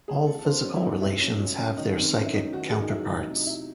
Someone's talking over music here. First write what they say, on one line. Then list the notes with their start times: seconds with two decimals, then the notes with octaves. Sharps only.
All physical relations have their psychic counterparts.
0.08 A3 G#4
0.27 C3 A4
0.39 A4
0.45 C3 C5
0.64 F#3 C#4
0.76 E4
0.83 A3 D#4
1.02 C3 E4
1.21 C3 C#4
1.40 F#3 C#4
1.58 A3 C#4
1.78 D#3 D#4
1.96 D#3 C4
2.15 F#3 C#4
2.26 E4
2.34 A3 D#4
2.53 D#3 F#4
2.71 D#3 G#4
2.82 D#4
2.90 F#3 E4
3.09 A3 D#4
3.28 C3
3.37 D#4
3.47 C3 E4